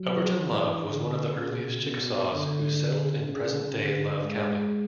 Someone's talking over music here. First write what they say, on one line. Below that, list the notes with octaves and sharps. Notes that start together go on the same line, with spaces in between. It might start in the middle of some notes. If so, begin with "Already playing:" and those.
Overton Love was one of the earliest Chickasaws who settled in present-day Love County.
Already playing: F#3
E3
D3
C#3
B2
D3
C#3
D3
G#3